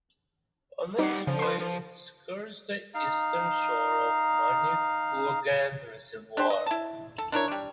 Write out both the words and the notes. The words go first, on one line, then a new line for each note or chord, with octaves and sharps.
On its way it skirts the eastern shore of Manicouagan Reservoir.
G3 D#4 G4 F#5 C7
C#3 F3
B4 C6
F3
D#4 F5
D4 G4 C5
D#5
E4 A5
A4
D4 E4 A#4 C#5
G3 D4